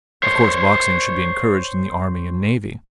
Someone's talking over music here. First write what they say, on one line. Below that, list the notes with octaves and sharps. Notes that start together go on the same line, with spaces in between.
Of course boxing should be encouraged in the army and navy.
C5 C#5